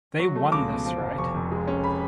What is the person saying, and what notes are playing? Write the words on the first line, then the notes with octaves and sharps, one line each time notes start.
They won this right.
F#3 C#6
A3
C#2 D6
B2
F3
F1
F1 C#6
F2
G#3
C#4
B5